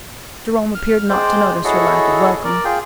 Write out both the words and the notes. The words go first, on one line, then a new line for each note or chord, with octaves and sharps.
Jerome appeared not to notice her lack of welcome.
F6
G#3 C5 D5 G5
E4 F#4 G#4 A4 C#5 D#5
A#4 D5
F4 G#4 G5